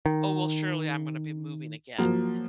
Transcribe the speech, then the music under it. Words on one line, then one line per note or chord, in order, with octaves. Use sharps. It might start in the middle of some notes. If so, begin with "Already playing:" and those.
"Oh, well surely I'm gonna be moving again,"
D#3
F3 F#3 A#3